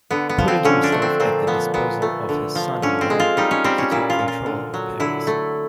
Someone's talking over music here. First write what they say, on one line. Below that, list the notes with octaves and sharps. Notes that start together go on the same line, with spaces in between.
Putting himself at the disposal of his son-in-law, he took control of Paris.
D3 B3
B3
F3
C4
D3 C#4
D4
A3
C4
A#2 C4
F3 B3
A#2 B3
A3
D3
F3
D3 C#4
C4
G#3
F4
G3 D#4
C#4
G3 C4
C#4
A#2 E4
F4
A#2
F4
D3
F#3
D3 E4
A3